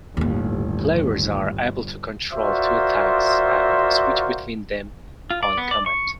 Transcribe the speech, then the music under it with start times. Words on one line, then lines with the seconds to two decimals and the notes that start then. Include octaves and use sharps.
Players are able to control two tanks and switch between them on command.
0.17 G1 D#2 A2
2.33 F4 F#4 A#4 C5 D5 E5
5.30 F4
5.43 D5
5.58 B3
5.71 D5
5.86 C#6